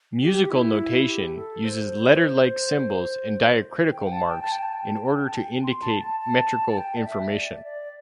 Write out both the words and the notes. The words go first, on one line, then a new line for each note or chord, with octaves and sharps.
Musical notation uses letter-like symbols and diacritical marks in order to indicate metrical information.
G4
G4
E4
G4
A4
C5
G5
A5
G5
A5
G5
A5
G5
A5
G5
A5
G5
A5
G5
C6
A5
A5
A5
A5
G5
D5
E5
D5
D5